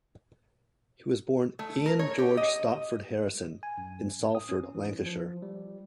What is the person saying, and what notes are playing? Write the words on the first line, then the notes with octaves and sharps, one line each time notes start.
He was born Ian George Stopford Harrison, in Salford, Lancashire.
A3
A#4
C#5
G4
D#5
G#5
F#2
A2
D#6
C#4
E3
F3
G3